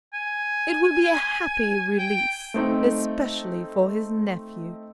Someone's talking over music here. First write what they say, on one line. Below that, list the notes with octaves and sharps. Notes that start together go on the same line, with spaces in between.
It will be a happy release--especially for his nephews.'
G#5
G5
A3 C4 D#4